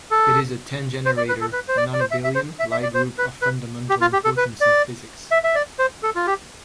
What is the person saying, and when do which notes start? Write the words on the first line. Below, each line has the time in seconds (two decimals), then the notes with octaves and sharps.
It is a ten-generator non-abelian Lie group of fundamental importance in physics.
0.11 A4
1.06 C5
1.17 D5
1.29 B4
1.41 A4
1.53 B4
1.68 C5
1.77 D5
1.93 D5
2.00 C5
2.11 E5
2.24 E5
2.35 C5
2.59 E5
2.71 E5
2.83 D5
2.95 C5
3.18 B4
3.42 B4
3.90 G4
4.01 F4
4.13 G4
4.25 A4
4.37 B4
4.61 D5
5.31 E5
5.44 E5
5.55 D5
5.79 C5
6.03 A4
6.15 F4
6.27 G4